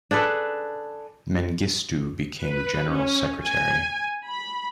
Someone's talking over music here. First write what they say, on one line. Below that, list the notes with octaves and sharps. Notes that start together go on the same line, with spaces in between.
Mengistu became general secretary.
D4 G#4 A4 B4
B4
C#4
G#5
B5